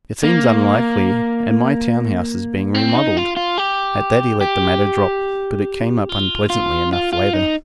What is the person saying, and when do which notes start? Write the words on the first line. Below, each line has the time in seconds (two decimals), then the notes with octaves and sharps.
"It seems unlikely, and my town house is being remodeled." At that he let the matter drop, but it came up unpleasantly enough, later.
0.23 A#3
2.75 C4
2.95 D#4
3.17 F4
3.37 F4
3.58 G4
4.41 G4
6.09 F4
6.50 F4
6.93 F4
7.13 F4
7.33 D#4